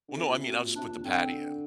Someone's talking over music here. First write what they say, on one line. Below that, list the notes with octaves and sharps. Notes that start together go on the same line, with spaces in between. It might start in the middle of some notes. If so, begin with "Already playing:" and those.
Well, no, I mean, I'll just put the patty in
D3
C3 A4
A#2
C3
F#4
A#2
C3 D4
A#2
D3 C4